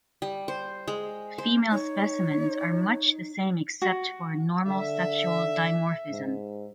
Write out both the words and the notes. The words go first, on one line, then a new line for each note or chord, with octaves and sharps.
Female specimens are much the same except for normal sexual dimorphism.
G3
C5
G#3
C5
D#4 C#5
F#4
D3 E5
G#2